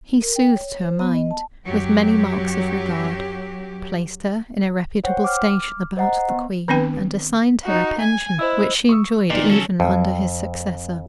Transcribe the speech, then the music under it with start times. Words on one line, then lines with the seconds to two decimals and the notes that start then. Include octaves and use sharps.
He soothed her mind with many marks of regard, placed her in a reputable station about the queen and assigned her a pension, which she enjoyed even under his successor.
0.21 A#4
0.36 G5
0.55 C#5
0.81 C5
1.00 B3
1.14 D#5
1.31 A5
1.65 F#2 F#3 G4
5.04 C5 C#5 F#5 G5
5.24 D6 F6
5.97 C5 D#5 F#5 A#5
6.30 B3
6.68 D#3 B3 C4 D4 B4 G5
7.64 D#4 F#4
7.98 G#5
8.39 E4 C5 D#5 E6
8.89 C#6 D#6 E6
9.30 A#2 D#3 B3 D5
9.50 C#3 F#3 C#4 A4
9.80 F2